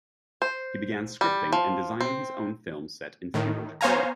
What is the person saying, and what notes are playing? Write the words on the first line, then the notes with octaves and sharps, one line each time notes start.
He began scripting and designing his own film set in feudal Japan.
C5
G3
F3
C4
A2 D#3
B3 C5 C#5 F5 G#5 A#5